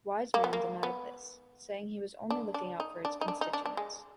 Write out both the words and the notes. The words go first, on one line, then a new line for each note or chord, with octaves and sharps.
Wiseman denied this, saying he was only looking out for his constituents.
A#3
B3
A#3
B3
D4
D4
D#4
D4
D#4
D4
D#4
D4
D4
G#3